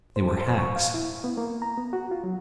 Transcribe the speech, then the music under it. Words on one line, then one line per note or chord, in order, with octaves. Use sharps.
They were hacks.
C5
C5
C#6
F5
E4
B3
A#3
A#5
B3
F#4
F4
F#3